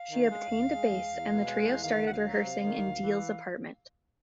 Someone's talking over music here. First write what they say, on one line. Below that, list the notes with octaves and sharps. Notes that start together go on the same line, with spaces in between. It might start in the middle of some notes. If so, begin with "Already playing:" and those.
She obtained a bass, and the trio started rehearsing in Deal's apartment.
Already playing: F5
D#3
G#3
D#2
G#3
E2
E2
B2
G#3
E2
D#3 F5
D2 F#5
F5
F#3
C3
D#3
D2
E3